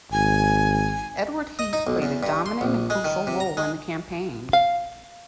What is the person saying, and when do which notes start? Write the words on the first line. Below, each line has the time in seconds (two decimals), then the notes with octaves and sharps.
Edward Heath played a dominant and crucial role in the campaign.
0.12 G#1 G#5
1.59 D#5
1.73 D#4
1.87 B1
2.02 E2
2.23 G2
2.46 C6
2.61 A#1
2.90 G#3
3.05 D#3
3.27 C3
3.40 A#5
3.57 G#3
4.53 F5